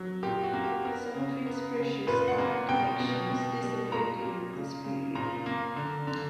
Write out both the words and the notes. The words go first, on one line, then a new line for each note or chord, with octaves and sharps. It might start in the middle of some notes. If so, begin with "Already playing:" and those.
Some of its precious art collections disappeared during this period.
Already playing: F#3
A#2 G4
F#4
A#3
G4
B3 A#4
C#3
B3
C#3
A#2 B4
F#5
A#3
B2 G5
B2
B2
G3
A#2 A#5
A#3
C#3
C#3
A#2 A#5
A#3
D3
D3